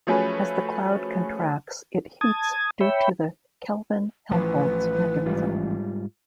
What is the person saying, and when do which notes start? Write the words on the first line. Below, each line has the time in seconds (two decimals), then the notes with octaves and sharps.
As the cloud contracts it heats due to the Kelvin-Helmholtz mechanism.
0.07 F3 F#3 A3 C#4 G#4 B4
2.21 A5 D#6 G#6
2.81 C#5 E5 G5 B5
4.31 A1 E3 F3 B4
5.26 G#2 G3 F4